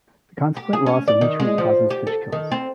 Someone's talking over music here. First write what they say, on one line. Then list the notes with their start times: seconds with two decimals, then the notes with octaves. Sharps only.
The consequent loss of nutrient causes fish kills.
0.57 G4
0.73 G#4
0.86 C#4
1.08 D5
1.21 D#3
1.40 G#3
1.58 F3
1.90 G4
2.07 A4
2.32 D#3
2.52 C4